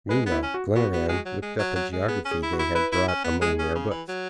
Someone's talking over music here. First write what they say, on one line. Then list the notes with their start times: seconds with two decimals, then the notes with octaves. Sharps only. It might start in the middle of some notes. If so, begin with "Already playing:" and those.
Meanwhile, Glenarvan looked up a geography they had brought among their books.
0.09 G#3 B4
0.26 B3
0.32 E4
0.43 C#4
0.54 F#4
0.75 B3 F#4
0.93 B3
1.09 G#3
1.25 F#3
1.42 G#3
1.59 F#3
1.76 F#3
1.93 G#3
2.08 B3 G#4
2.25 C#4
2.31 G#4
2.43 E4
2.53 F#4
2.59 E4
2.75 E4 B4
2.92 E4
3.08 C#4
3.25 B3
3.41 G#3 G#4
3.59 C#4
3.75 C#3
3.91 E3
4.08 F#3